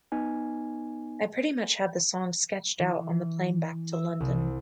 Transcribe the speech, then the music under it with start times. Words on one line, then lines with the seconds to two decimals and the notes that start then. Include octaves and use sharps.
I pretty much had the song sketched out on the plane back to London.
0.12 B3 D#4 G#5
2.79 E3
3.92 E5
4.20 C2